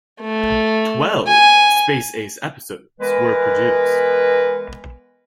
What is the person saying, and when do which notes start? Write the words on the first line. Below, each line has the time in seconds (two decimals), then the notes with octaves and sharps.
Twelve "Space Ace" episodes were produced.
0.21 A3
1.27 G#5
3.00 E3 G#3 B3 A#4 B4